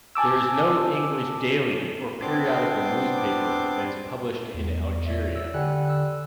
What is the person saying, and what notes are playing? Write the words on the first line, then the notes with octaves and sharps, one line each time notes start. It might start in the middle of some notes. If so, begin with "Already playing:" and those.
There is no English daily or periodical newspaper that is published in Algeria.
G#5 A5 D6 E6
B3 C4 D4 C6 D6
E2
C#5 D5 E5
E6
D3 G3 F#5 G#5 F#6
E6 F#6